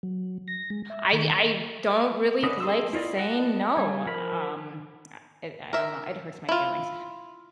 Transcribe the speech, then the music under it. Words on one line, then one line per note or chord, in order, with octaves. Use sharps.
I I don't really like saying no, um, uh, it I don't know, it hurts my feelings,
F#3
A#6
G#3
E5
D#3
D3 C#4 B4 D#5
G#4 A4 C6 D#6 E6
E4 F4 D5 D#5
D#5 F#5 A5
G3 G#5
F3 A#4 B5
A#4 E5
E4 F4